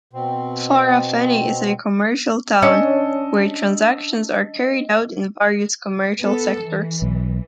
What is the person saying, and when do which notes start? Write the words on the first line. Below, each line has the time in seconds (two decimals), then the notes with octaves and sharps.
Farafenni is a commercial town, were transactions are carried out in various commercial sectors.
0.13 B2 C4
2.62 C#4 D4 D#5 E6 C#7
6.19 B3 A4
6.63 E3
7.02 B1